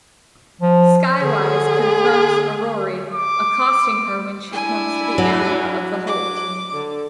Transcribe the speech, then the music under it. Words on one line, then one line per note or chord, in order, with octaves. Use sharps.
Skywise confronts Aroree, accosting her when she comes to the area of the holt.
F3
D3 G#4
D6
D4 E4 G#5
F#3
D6
D3